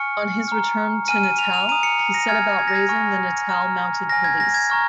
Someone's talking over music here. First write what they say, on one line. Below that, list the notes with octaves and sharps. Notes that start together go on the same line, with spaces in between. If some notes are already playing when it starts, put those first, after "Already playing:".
On his return to Natal he set about raising the Natal Mounted Police.
Already playing: G#5 C#6 F6 C#7
A#5 F6
G#5 F6 D#7
D#7
F7
F7
A#5 D#6 D#7
C#7
C#7
A#6
G#5 F6 G#6
G#6
A#6
G#6
G#5 C#6 F6
A#5 F6
G#5 F6 A#6
G#6
A#6
G#6
A#5 C#6 F6